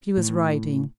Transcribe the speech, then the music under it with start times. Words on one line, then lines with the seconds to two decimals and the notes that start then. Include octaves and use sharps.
She was writing.
0.17 A2